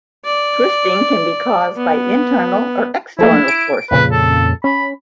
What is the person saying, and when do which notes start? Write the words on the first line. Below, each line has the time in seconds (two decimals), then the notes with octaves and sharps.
Twisting can be caused by internal or external forces.
0.25 D5
1.76 B3
3.19 F3 A3 A#3 E4
3.48 D7
3.91 F2 A#2 C#3 B4
4.12 A4
4.64 C#4 B5